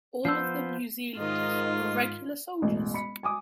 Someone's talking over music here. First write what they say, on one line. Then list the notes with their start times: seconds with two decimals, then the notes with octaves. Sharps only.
All of the New Zealanders were regular soldiers.
0.25 F3 B3 C5 E6 C7
1.18 G#2 D#3 F4 D#5
2.62 E1 A1
2.94 B5 C#7
3.23 G#5 D6 D#6